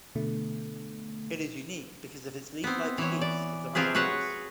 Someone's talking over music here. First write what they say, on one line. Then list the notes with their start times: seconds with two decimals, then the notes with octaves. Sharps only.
It is unique because of its leaflike sheaths of the ramicauls.
0.15 B2 D3 A3
2.64 B3 C4
2.98 E3 C#5
3.21 D5
3.75 C3 F3 C4 F4 G#4 B4
3.95 F#4 G#4 B4 C#5 F#5